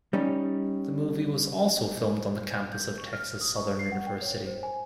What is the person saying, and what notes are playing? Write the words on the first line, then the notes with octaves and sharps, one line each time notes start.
The movie was also filmed on the campus of Texas Southern University.
G3 C#4 D#4
G6
C#6
F6
D#6
C#6
C7
F#5
G5
C#5
C5
G#5